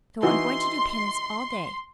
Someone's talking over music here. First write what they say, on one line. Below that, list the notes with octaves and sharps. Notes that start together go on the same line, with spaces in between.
So I'm going to do penance all day.
E3 D#4 F#4 C6